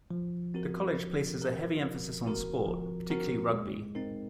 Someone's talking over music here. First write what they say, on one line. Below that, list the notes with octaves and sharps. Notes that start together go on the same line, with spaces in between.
The college places a heavy emphasis on sport, particularly rugby.
F3
C4 F#4 A#4
F3
C4 F#4 A#4
F3
C4 F#4 A#4
F3
C4 F#4 A#4
G#3
C4 D#4 A#4